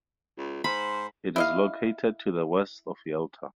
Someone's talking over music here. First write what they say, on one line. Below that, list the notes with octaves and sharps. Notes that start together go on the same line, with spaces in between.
It is located to the west of Yalta.
C#2
G#2 C5 B5
E4 D#5 F5